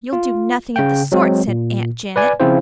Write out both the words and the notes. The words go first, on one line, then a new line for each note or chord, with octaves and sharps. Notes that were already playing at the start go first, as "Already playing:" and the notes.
"You'll do nothing of the sort," said Aunt Janet.
F4
C#3 G5
F#3 G#3 C4
A#2
B4 D5 G#5
C#3 F3 C4 E4 F4 C5